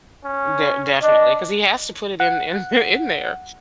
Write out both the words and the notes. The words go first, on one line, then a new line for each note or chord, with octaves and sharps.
De definitely 'cause he has to put it in in in there.
C#4
D4 D#5
F#5